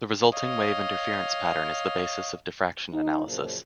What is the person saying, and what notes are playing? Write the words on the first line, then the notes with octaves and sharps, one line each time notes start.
The resulting wave interference pattern is the basis of diffraction analysis.
C#5 D#5 F5
D#4
F#2 A#2 C#3 F3